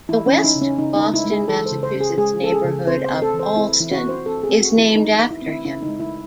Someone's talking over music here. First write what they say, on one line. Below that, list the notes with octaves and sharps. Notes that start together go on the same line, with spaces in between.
The west Boston, Massachusetts neighborhood of Allston is named after him.
E3 E4
C#4
E3 E4
D#4
C#3
C#4
C#3 D#4
D#4
G#3
E4
G#3
G#4
E3 A4
C5
C#3
C5
C#4
G#4
G#3 G#4
C#4 A4
G#4
C#3
C4 C5
C5
C4
A4
E3
C5
C4 E4
E3 E4
F#4
C4
C5
C4 A4
G#4
C4
F#4
E3
E4
C4 D#4
E3
E4
C4
E4
C#3 E4
D#4
G#3
E4